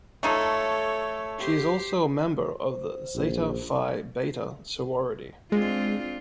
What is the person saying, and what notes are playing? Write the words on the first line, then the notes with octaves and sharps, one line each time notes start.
She is also a member of the Zeta Phi Beta Sorority.
A3 D#4 F4 A4 C#5
G4 C5
C5
A#1
G#3 C4 D4 F4